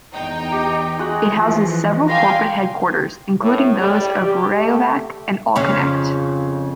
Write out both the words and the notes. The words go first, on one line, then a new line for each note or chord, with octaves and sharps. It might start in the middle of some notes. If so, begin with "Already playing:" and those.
It houses several corporate headquarters, including those of Rayovac and Allconnect.
E2 D#4 G5
G4
G#3 F#4 F#5
E3 F3
F5 G5 G#5 A#5 C6 D6
A2
G3
G4
A3
F2 C#3 C#4